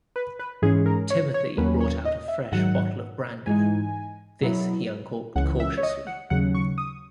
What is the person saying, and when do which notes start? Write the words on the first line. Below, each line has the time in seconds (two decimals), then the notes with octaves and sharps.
Timothy brought out a fresh bottle of brandy. This he uncorked cautiously.
0.16 B4
0.39 B4
0.62 G#2 E3 G#3 C#4 G#4
0.86 A#4
1.10 C#5
1.34 C#5
1.57 D#2 D#3 F#3 A#3 C#4 B4
1.81 C#5
2.05 D#5
2.28 E5
2.52 G#2 D#3 F#3 F#5
3.46 G#2 E3 G#3 D#4 G#5
4.41 B2 F#3 B3 E4
5.36 C#2 C#3 E3 F#5
5.60 E5
5.78 C#5
5.83 D#5
6.07 F#5
6.30 D#2 C#3 F#3 F#5
6.55 C#6
6.78 D#6